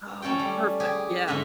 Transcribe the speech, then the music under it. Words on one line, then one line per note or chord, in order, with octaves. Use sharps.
Oh, perfect. Yeah.
A3 C#4 A4 G5
G3
G4 G#4
G#2 D3 A3 D#5 E5